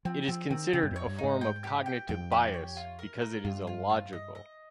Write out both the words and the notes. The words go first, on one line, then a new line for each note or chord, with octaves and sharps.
It is considered a form of cognitive bias, because it is illogical.
F3 C4
F3 C4
D#3 C4
C#3 C4
G2
F2
C#5
G2
D#4
G#2
G5
G4
G5
F2 G5
G4
C#5
F4
A#4
A#4
G2 F4
F4
F4
D#5
D#5